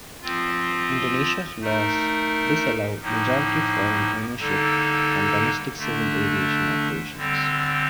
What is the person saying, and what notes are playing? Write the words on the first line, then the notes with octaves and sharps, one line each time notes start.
Indonesia's laws disallow majority foreign ownership on domestic civil aviation operations.
F3 C4 F4
A3 D#4 A#4
A2 F3 A#3 D#4
D3 G3 A#3 D#4 A4
D3 A3 D4
D3 G3 C4